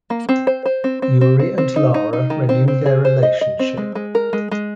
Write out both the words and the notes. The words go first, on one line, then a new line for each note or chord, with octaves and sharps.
Yuri and Lara renew their relationship.
A#3
C4
C5
C5
C4
C4
C4
C4
C4
D#4
D#4
D#4
D#3
C4
C4
G#4
C5
D#5
D#5
C4
G#3
G#3
A#4
G#3
G#3